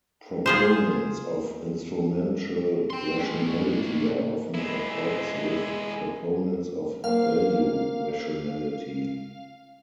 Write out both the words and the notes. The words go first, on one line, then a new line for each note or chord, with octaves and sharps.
Proponents of instrumental rationality are often at odds with proponents of value rationality.
F4 G#4 C5
G5 C6
A2 C#4
G#3 E4
A#3 C5 F5